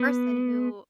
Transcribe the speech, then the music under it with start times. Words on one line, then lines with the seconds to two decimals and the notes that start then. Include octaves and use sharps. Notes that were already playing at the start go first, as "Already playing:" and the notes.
person who
Already playing: B3